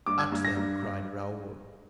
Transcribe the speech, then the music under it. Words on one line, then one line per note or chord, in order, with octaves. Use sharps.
"At them!" cried Raoul.
G2 D6
G#6
G2
A#6
G2
G2